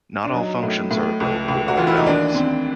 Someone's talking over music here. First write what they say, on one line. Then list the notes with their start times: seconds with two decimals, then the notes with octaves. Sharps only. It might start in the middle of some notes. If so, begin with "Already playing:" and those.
Not all functions are available in all families.
0.24 D4
0.34 F#3 D#4
0.63 A2
0.91 A2
1.20 C#2
1.48 C#2
1.68 F#4
1.77 E3 F4
1.87 E4
1.97 D#4
2.06 D#2 D4
2.34 D#2 C4